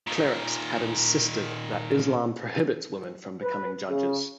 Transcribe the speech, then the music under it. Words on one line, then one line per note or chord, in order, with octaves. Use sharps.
Clerics had insisted that Islam prohibits women from becoming judges.
A#2 D#3
B4
C#3